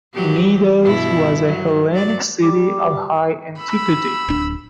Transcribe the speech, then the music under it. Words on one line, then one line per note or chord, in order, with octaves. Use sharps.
Knidos was a Hellenic city of high antiquity.
E3 F#3 G4
G2 B2 E4
F#3
F#3 D5
G3 D6
B5 E6
D1 D4